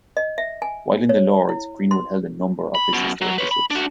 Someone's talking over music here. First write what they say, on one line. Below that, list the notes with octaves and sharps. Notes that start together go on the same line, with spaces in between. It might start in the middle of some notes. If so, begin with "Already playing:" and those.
While in the Lords, Greenwood held a number of business directorships.
D#5
E5
G#5
C#5
E4
C6
B5
F#2 B2
F#3
B4 C#5
B5
D4 F#4